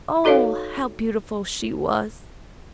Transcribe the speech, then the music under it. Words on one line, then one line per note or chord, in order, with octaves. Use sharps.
Oh, how beautiful she was!
D#4 F#4 A4 C#5 D#5 F5